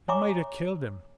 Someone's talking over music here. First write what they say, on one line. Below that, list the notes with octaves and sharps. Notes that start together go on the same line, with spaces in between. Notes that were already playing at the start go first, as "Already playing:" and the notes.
It mighta killed him.
C#5 E5 G#5 A#5 C#6 D6